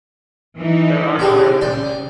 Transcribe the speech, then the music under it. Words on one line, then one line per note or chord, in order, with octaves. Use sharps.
There are no airports.
E3 D#4
C#3 D4 G4 G#4
D5 G5 C6